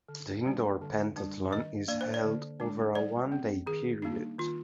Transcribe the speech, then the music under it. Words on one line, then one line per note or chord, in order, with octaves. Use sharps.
The indoor pentathlon is held over a one-day period.
D3
G3 A#3 D4
D3
G3 D4
D#3 D#5
A#3 D4 D5
C5
D5
D3
G#3 D4
G3 D5
C4
D#3 G#4
G3 A#3 D4 D#4
D#3 F4